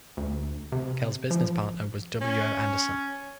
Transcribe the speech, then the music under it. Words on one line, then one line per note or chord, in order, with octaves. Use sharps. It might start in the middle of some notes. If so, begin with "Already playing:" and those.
Kell's business partner was W. O. Anderson.
D2
C3
F3
C#4